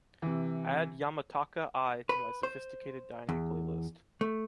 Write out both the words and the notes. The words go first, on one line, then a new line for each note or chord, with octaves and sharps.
Add Yamataka Eye to my sophisticated dining playlist.
C3 E3
B4
C5
E2
A3